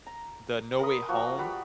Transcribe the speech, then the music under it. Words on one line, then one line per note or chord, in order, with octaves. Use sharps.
the No Way Home.
A#5
A#4 B5 C6 D#6
F3 A#3 F#4
G3 F#4 B4 B5